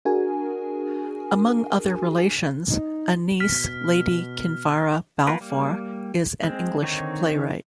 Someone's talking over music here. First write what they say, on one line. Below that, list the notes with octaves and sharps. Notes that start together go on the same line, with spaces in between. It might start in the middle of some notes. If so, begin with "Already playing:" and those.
Among other relations, a niece Lady Kinvara Balfour is an English playwright.
D4 F#4 G#4 A#4 G#5
D#4
B2 F6 B6
A#3 B3 F4 A#4 B4
G3 A#3
G#3 C4
D3 D#3 C4 D#4 C#5